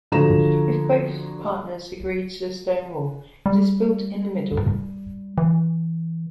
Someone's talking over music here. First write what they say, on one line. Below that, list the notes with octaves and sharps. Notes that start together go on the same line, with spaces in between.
If both partners agree to the stone wall, it is built in the middle.
D3 F3 F#4 G#4 A#5 E7
G3
E3